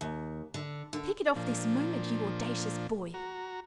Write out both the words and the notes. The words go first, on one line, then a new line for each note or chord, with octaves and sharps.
'Take it off this moment, you audacious boy!
D#2
D3
D3
A#2 F3 D4
F#4 A#5